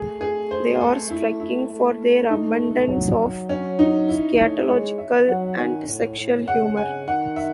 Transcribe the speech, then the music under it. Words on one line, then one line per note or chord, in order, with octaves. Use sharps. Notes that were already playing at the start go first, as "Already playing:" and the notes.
They are striking for their abundance of scatological and sexual humor.
Already playing: A3 G#4
G#4
C5
A4
A3 E4
E4
A3
D#4
F#3
C#4
D#4
E4
A3 C#5
G#3 C#5
E5
F#3 F#5
D#3 G#5
A2
A2
C#3 F#5
C#3 G#5
D#3 F#5
E5